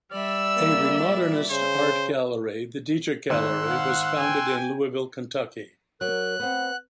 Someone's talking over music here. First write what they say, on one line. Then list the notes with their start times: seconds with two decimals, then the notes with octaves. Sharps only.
A Remodernist art gallery, The Deatrick Gallery was founded in Louisville, Kentucky.
0.12 G3 D5 E5 E6
0.57 A#3
1.07 A#2
1.50 C#3 C5
3.30 G#1 C6 E6 F#6
3.65 F5 F#5
4.19 G5 G#5
6.01 F#3 A#4 F#6
6.40 B3 C4 F#5